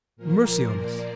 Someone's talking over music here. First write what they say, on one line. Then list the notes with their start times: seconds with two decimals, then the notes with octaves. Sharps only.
Mercy on us!
0.16 A#2 F3 A#3 A#4
0.77 D5